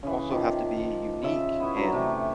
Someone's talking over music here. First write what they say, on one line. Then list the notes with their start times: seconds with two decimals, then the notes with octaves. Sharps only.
also have to be unique, and
0.03 C#3 E3
0.29 D#3 F3 F4 G4
1.23 C#3 F4 E5
1.60 B3 E4 C#5
1.76 D3 E3 F#3 A#5
1.92 C3 A3